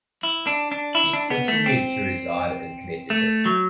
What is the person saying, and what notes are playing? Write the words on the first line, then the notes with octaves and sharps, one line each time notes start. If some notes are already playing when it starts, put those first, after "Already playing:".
He continued to reside in Connecticut.
E4
D4
D4
E4
D4
B3
A3
C4
A3
F#3